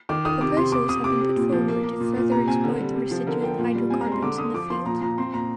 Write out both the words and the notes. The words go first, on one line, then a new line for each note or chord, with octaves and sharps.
Proposals have been put forward to further exploit the residual hydrocarbons in the field.
D#3 D6
D#3 D#6
C3 D6
C3 C6
C3 D6
C3 D#6
C3 D6
C3
A#2
F3
A#3
A#3
A#2
A#2
C3 A#5
C4 G#5
D3
G3
C3
F3
D3 A#4
F3 G5
A#2
G3
C4 G#5
A#5
G#3
C6
D3 D6
D3 D#6
F3 D6
F3 C6
A#2 A#5
A#2 A#5
C4 C6
A#2 A#5